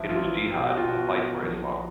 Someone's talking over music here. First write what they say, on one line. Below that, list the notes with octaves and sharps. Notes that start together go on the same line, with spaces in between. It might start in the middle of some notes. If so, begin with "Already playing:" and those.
It was a Jihad, a fight for Islam.
Already playing: A1 F3 E4
F4
A1
B2 G4
F#4
F4
B2 F#4
B2
A#1
F3